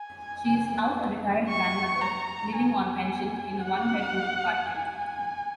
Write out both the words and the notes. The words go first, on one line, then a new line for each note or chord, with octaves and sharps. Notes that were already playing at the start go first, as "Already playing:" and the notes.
She is now a retired grandmother living on pension in a one bedroom apartment.
Already playing: G#5
C#6
A#5
G#5
F#5
G#5